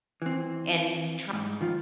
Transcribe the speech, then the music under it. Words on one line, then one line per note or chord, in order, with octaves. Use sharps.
and trying
E3 C4
G#2
D#3 F3 F4